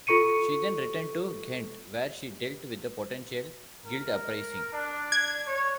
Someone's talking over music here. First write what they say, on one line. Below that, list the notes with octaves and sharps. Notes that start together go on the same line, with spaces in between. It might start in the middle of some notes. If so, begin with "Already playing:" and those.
She then returned to Ghent, where she dealt with a potential guild uprising.
F4 A4 C#6 C#7 D#7
A#4
D4
G#6
C#5